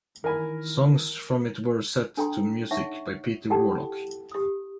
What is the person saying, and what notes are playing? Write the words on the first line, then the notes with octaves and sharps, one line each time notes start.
Songs from it were set to music by Peter Warlock.
D#3 E3 A#4 G#5 B5
D4 A4 G5 A#5 C6
D#4 C#5 E5 F#5 C#6
E4 G4 A4 F#5 G5 A5
G4 D#6